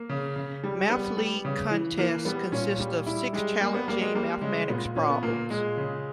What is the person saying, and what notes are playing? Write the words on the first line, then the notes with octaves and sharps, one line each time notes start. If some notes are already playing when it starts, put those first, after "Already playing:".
Math League contests consist of six challenging mathematics problems.
Already playing: A#3
C#3
C#3
G3
G3 B3
G3
C#3
E3
E3 A#3
G3 B3
A#2 C#4
G3
G3 E4
G3 G#3
G3 A#3
B3
G3 A#3
G#3
G3 A#3
C#3 G#3
A#2 B3
A#2 C#4
B3
A#2 A#3
A#2 G#3
C#3